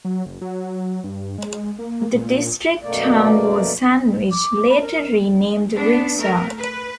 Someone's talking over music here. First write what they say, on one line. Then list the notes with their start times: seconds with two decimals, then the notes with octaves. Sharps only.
The district town was "Sandwich", later renamed Windsor.
0.05 F#3
0.26 F#1
0.41 F#3
1.04 G2
1.38 G#3
1.79 A#3
2.14 A#2
2.83 F#2 B2 A3 A#3 D5
4.31 D6
4.70 B5
4.82 A#4
5.75 B3 D4
6.16 A3 A#4
6.59 B4